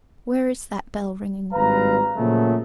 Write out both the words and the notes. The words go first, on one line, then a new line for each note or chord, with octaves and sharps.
Where is that bell ringing?
G#1 G2 B4 F5 A#5
A#2 C#3 F3 F#3 A3 G#4